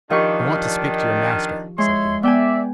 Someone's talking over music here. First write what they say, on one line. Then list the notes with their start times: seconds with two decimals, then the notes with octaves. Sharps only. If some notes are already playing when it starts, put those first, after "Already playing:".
'I want to speak to your master,' said he.
0.10 D#3 F3 D4 G4 C#6
1.78 G#3 E4 C#5 C6
2.23 B3 D5 E5 G5 G#5